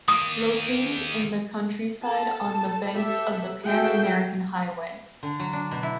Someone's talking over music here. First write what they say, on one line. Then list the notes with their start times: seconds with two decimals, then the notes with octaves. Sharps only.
Located in the countryside on the banks of the Pan American Highway.
0.08 D#3 A#3 D#6
2.02 A4 A5
2.92 G4 A4 E5
3.66 F#4 G#4 A4 E5 G5
5.23 D3
5.40 F#3
5.53 D4
5.71 B2
5.83 E4